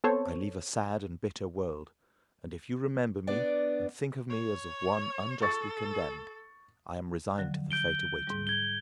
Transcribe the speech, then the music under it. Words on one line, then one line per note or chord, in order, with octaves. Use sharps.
I leave a sad and bitter world; and if you remember me and think of me as of one unjustly condemned, I am resigned to the fate awaiting me.
B3 C4 A4 C5 C#5
B3 D4 D5
C#5
A4 C#6 A6
D3 F3 F#3
G6 D7 G7
G#2 G3
G#6 G7